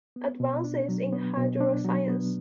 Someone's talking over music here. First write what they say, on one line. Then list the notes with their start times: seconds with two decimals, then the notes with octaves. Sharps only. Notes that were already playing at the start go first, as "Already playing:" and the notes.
"Advances in Hydroscience".
0.16 B3
0.40 B2
0.64 D4
0.89 F#3
1.13 B3
1.37 B2
1.61 D4
1.85 F#3
2.09 B3